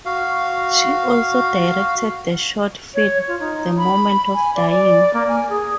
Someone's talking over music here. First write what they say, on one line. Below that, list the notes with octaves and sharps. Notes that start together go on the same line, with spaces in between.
She also directed the short film "The Moment of Dying".
F#4 F5
C#5
F4
D#4
B5
G#5
D5
D5
A#3
G#5
G#4